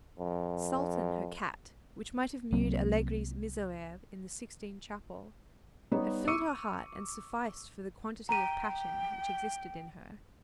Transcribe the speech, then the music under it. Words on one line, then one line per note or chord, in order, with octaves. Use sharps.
Sultan, her cat, which might have mewed Allegri's miserere in the Sixtine Chapel, had filled her heart and sufficed for the quantity of passion which existed in her.
F2
C2 F#3 A#3 C4
G3 B3 D#4 G4 C#5
C#6 D6 E6 C#7 D#7
G5 A#5 D#7